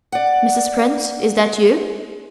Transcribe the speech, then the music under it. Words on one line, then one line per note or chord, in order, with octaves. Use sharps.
"Mrs. Prince, is that you?"
D5 F#5